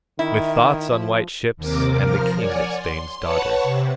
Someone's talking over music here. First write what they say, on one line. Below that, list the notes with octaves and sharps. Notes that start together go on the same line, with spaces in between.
"With thoughts on white ships And the King of Spain's Daughter."
D#3 E4
F3
D#2 C3 A#4 D6
F3 A#4 F6
C#5 D5 F#5 G#5
C6
B4 C#5 F#5 A5 C#6
C3